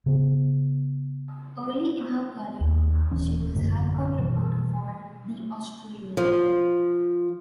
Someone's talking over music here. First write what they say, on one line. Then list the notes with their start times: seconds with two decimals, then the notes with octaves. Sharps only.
Early in her career she was High Court reporter for "The Australian".
0.06 C#3 B3
2.61 D#2
3.11 D#1 E3 C#4
3.55 A1 F#2 D3 A#3
4.19 B2 E3 G3
6.17 F3